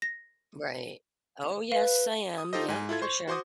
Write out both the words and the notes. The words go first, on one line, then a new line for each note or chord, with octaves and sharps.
Right. Oh, yes, I am. Yep, for sure.
A#6
B4 F5
D#6
D#4 F4 G4 A4 C5 D#5
G#2 G#5
E4 F4 A4 G#6
C5 C6 C#6
F#4 C5 C6 D6 D#6